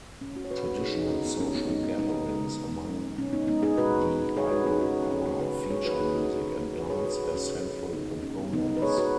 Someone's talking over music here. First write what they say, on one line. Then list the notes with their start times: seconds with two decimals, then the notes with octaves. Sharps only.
Traditional social gatherings among the Iroquois feature music and dance as central components.
0.21 B2 C#4
0.35 C#4 F#4
0.45 C#5
0.51 F#3 F#4 B4
0.65 C#4 F#4
0.80 B2 D#4 G#4
0.95 D#4 G#4
1.10 F#3 C#4 F#4
1.25 B3
1.40 B2 C#4
1.55 B3 D#4
1.69 G#3 B3 D#4
1.84 B3
1.99 B2 B3 D#4
2.29 G#3
2.59 B2
2.89 G#3
3.18 B2 C#4
3.32 B3 D#4
3.47 G#3 B3 D#4
3.63 D#4 G#4
3.78 B2 F#4 B4
4.07 G#3
4.37 B2 G#4 C#5
4.51 F#4 B4
4.66 G#3 D#4 G#4
4.81 C#4 F#4
4.97 C#3 C#4
5.11 C#4
5.26 F#3 C#4 F#4
5.41 F#4 B4
5.56 C#3
5.70 G#4 C#5
5.85 F#3 F#4 B4
6.00 D#4 G#4
6.15 B2 C#4 F#4
6.45 F#3
6.74 B2 F#4 B4
6.90 G#4 C#5
7.04 F#3 F#4 B4
7.24 G#4
7.34 C#3 C#4 F#4
7.64 F#3
7.93 C#3 B3 D#4
8.23 F#3 C#4
8.38 B3
8.52 C#3 B3 D#4
8.67 B3 D#4
8.77 B4
8.82 G#3 G#4 C#5
8.98 F#4 B4